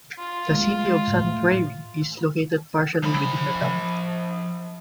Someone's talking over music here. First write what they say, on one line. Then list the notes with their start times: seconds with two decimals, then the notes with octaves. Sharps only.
The City of Sun Prairie is located partially within the town.
0.19 F4
0.51 G#3
1.07 A2
3.04 F3 B5